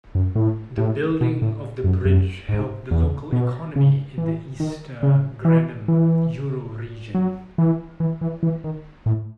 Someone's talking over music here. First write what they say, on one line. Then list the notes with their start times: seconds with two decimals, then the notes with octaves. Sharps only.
The rebuilding of the bridge helped the local economy in the Ister-Granum Euroregion.
0.15 F#2
0.36 A2
0.78 A2
1.21 B2
1.42 A2
1.84 F#2
2.05 F#2
2.49 G#2
2.91 E2
3.32 B2
3.76 C#3
4.18 E3
4.60 D#3
5.03 C#3
5.45 E3
5.88 E3
7.15 F#3
7.58 E3
8.00 E3
8.21 E3
8.43 E3
8.64 D#3
9.06 A2